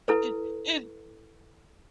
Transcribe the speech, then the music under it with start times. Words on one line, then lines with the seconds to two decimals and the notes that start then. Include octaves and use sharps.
It it
0.08 E4 A4 B4